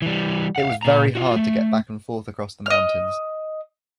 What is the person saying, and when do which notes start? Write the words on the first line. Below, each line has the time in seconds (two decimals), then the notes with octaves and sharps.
It was very hard to get back and forth across the mountains.
0.02 E3 G3
0.56 F5 F#5
0.83 A#2 A#5
1.15 F4 F#4
1.36 A3
2.66 D#5 F6